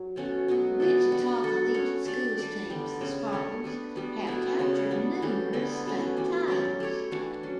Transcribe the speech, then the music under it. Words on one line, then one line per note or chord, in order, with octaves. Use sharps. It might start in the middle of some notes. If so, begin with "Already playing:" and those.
Wichita Collegiate School's teams, the Spartans, have captured numerous state titles.
Already playing: F#3
B2 A3 C#4 F#4
B2 F#3 B3 F#4
E3 B3 D4 A4
G3 D4 F#4
B3 D4 F#4 A4
A3 C#4 F#4 C#5
A3 D4 G4 D5
G3 D4 A4 D5
D3 G3 B3
C#3 G3 D4
A3 D4 G4 C#5
G3 B3 D4
G3 B3 F#4
B2 A3 E4
C#3 G3 B3
G3 B3 D4 F#4
E3 A3 C#4 G4
D3 G3 B3 E4
B2 A3 C#4
E3 G3 D4
F#3 C#4 G4 D5
A3 E4 G4 C#5
E3 A3 D4 F#4
F#3 C#4